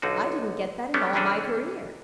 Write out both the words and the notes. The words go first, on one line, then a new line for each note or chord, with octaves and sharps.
"I didn't get that in all my career."
B1 D3 D#4 F4 F#4
G3 A3 B3 C#4 D4
C3 E3 C#4 D4 G#4 A4